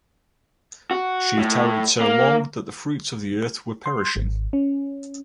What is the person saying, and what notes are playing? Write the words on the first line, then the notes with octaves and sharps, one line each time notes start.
She tarried so long that the fruits of the earth were perishing.
F#4
A2
A#3
C6
G#1
C#4